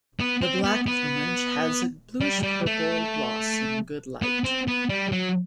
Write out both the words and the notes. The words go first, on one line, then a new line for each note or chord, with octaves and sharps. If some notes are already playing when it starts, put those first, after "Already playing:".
The black plumage has a bluish-purple gloss in good light.
B3
C4
B3
B3
G3
G3
A3
B3
C4
B3
G3
F#3